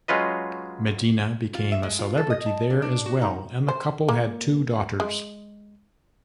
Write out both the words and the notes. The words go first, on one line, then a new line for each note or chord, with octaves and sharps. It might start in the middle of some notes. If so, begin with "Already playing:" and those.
Medina became a celebrity there as well, and the couple had two daughters.
F#3 G#3 C#4 F4 B4 D#5
F4
E5
G#3
F4
A4
D#5
A5
D3
D4
F#4
D#4
C5
A#3
G#3